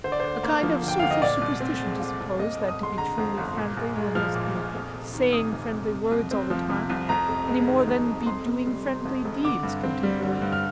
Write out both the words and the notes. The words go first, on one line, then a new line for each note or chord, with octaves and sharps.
A kind of social superstition, to suppose that to be truly friendly one must be saying friendly words all the time, any more than be doing friendly deeds continually.
D3 C5
D5
D2 C5
A#3
F3
D3
G5
D2 F5
D#5
A#2 D5
C2
C4
G#3
A#2
C2
F2 D#5
G1
D#6
G#3 C6
D3 A#5
F2
G1
A#2
A#1
G#3
F3 F6
A#2
A#1
F2
F1
D#3
C3 D#6
F2
F1
C3
C2
C4
F3
C3
C2
F2 A#5
F1
G#3
D#3
F2
F1
F2 C6
F1
G3
C3
F2
F1
D3 D6
G2
C4
G3
D3
G2
F6